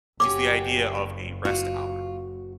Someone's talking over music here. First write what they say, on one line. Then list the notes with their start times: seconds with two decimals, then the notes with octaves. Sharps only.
is the idea of a rest hour.
0.20 F#1 C#4 F#4 G4 D6
1.45 F4 F#4